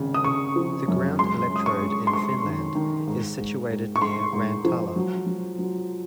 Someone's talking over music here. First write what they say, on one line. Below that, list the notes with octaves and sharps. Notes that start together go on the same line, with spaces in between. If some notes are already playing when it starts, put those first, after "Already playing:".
The ground electrode in Finland is situated near Rantala.
Already playing: G#1 C#3
D#6
C#3 C#6
F3
F#2
G#3 C6
G#3
D#6
C#6
G#3
C6
G#3 C#6
D#3
D#3
G#2
G#2
G#2
C#6
G#2 C6
G#2
F3
F#3
F#3
F#3